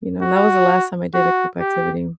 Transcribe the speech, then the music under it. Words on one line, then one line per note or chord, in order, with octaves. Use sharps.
You know, and that was the last time I did a group activity.
F#4
F#4
G4